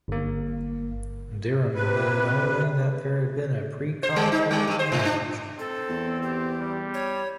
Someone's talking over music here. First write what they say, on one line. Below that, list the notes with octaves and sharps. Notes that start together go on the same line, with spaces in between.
Dereham admitted only that there had been a pre-contract of marriage.
G1 A#3
C3 B4
C5
G3
D#4
G3
G2
C5
G#2
D4
C4 A4
E2
G4
G3
C#5